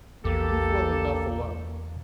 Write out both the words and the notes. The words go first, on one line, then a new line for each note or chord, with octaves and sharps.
Leave well enough alone.
A#1 E2 A#3 G4 A4